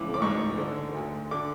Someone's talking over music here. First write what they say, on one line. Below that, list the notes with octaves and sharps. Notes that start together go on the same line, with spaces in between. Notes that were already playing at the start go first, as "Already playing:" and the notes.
Right, yeah, yeah.
Already playing: C#2 E3 D6
D6
G#2 C#6
D3
D2
D3 D6